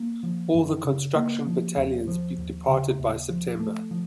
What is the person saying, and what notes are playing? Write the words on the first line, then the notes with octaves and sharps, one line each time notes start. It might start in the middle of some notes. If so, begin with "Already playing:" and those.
All the construction battalions departed by December.
Already playing: A#3
F3
F#2
C#3
A#3
F3
D#2
F3
D#2
C#3
D#2
F3
A3
F3